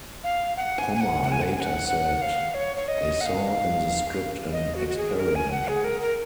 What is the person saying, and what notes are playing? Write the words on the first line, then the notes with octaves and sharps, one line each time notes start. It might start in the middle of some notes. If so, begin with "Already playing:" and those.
Pommer later said: They saw in the script an 'experiment'.
F5
F#5
G#5
G#5
F#5
F#5
G#5
F#5
G#5
F#5
F#5
F5
C#5
C#5
D#5
F#5
F5
D#5
F#4
F#4
G#4
A#4
G#5
F#5
G#4
A#4
A#4